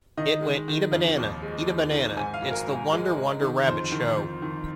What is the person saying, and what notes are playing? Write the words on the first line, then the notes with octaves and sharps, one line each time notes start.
It went Eat a banana, eat a banana- It's the Wonder Wonder Rabbit Show.
D#3 D#5
G#3
D#3
F2
D#2
G#3
D#2
D#3
G#2 G#5
F5
G#1
A#4
G#2
G#3
G#3
D#3
F2 C5
D#3
F2
D#3